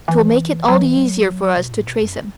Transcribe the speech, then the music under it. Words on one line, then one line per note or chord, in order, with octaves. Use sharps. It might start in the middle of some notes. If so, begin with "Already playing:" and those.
It will make it all the easier for us to trace him.
E3
F#3
E3
F#3
B2
A2
B2
F#2